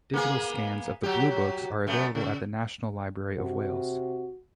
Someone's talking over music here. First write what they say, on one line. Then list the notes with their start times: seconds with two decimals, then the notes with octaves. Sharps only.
Digital scans of the Blue Books are available at the National Library of Wales.
0.14 A#3 B3 G#4
1.03 F#3 G4
1.87 F#2 A3 B3
2.15 C#3
3.38 C3 F#4